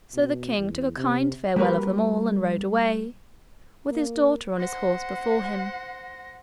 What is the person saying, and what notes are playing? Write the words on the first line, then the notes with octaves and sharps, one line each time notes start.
So the king took a kind farewell of them all and rode away, with his daughter on his horse before him.
B2
E2
C3
G3 A#3 F#4 A#4 B4
A#3
C5 F#5 A#6